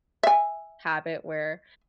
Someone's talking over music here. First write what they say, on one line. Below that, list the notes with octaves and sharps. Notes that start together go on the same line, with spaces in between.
habit where
E5 G#5